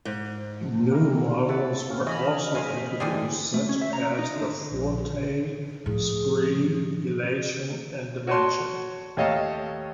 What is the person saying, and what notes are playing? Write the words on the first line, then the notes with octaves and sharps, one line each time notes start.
New models were also introduced, such as the Forte, Spree, Elation and Dimension.
G#2
A#3 E4 A#4
E4 A4 E5 F#5
C4 C#4 F5
E3 C#5 D#5 F5 B5 F6
C3 F5 G#5
D3 E3 G3 G#4 G#5
A3
C#4
E5
A#5
C3
D#4
D3
A#1
A2 F3 G#4
F#4 C#5 A5 C6
D#2 A3 C#5 D#5 F5 A5